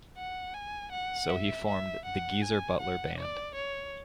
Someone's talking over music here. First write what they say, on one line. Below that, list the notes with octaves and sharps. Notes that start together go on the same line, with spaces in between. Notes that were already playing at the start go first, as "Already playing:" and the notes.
So he formed the "Geezer Butler Band".
F#5
G#5
F#5
E5
E5
F#5
G#5
F#5
D5
C#5